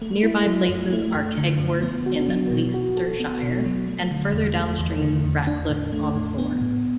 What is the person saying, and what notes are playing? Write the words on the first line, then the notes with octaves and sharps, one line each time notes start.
Nearby places are Kegworth in Leicestershire and, further downstream, Ratcliffe on Soar.
A3
E4
F#3
F#2
A3
F#2
D3
F#2
B3
F#4
F#3
B2
F#4
A4
B3
B2
F#3
A3
D3
E2
A3
E2
D3
E2
D4
A2
A3
A2
B3
A2